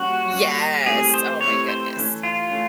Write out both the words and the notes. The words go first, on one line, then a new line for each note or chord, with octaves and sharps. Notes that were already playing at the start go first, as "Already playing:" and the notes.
Yes. Oh, my goodness.
Already playing: G3 A#3 C#4 F#4
G3 A#3 C#4
A3 C4 E4 G4 G#4 B4
C5
A3 C4 E4 G4 B4 C#5
C5
E3 A3 C#4
F4
A3 C#4